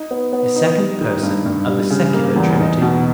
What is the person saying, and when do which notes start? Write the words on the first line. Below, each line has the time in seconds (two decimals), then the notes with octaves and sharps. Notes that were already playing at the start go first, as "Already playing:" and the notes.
The Second Person of the secular Trinity.
Already playing: D#4
0.11 B3
0.32 B3
0.56 D#4
0.78 G3
1.01 D#3
1.23 G2
1.46 G2
1.68 G3
1.90 C#3
2.14 A#3
2.36 E2
2.59 D#4
2.82 B2